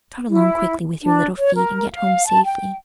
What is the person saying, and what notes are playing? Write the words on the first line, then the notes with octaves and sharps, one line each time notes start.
Trot along quickly with your little feet, and get home safely.
E4
D4
C#5
A#4
F5
A5
G5